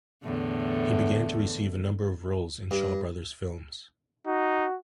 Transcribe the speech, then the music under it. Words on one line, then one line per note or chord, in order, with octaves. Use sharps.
He began to receive a number of roles in Shaw Brothers films.
E2 A2 D3
G2
D#4 F#4